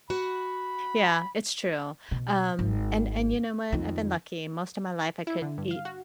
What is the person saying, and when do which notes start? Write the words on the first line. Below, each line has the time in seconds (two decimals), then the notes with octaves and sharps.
Yeah, it's true. Um, and and you know what, I've been lucky, most of my life I could eat
0.10 F#4 F#5 B5
2.11 B2
2.59 G#1
3.72 F2 D#3
5.27 E4
5.42 D3
5.58 G2
5.71 F5
5.85 F#4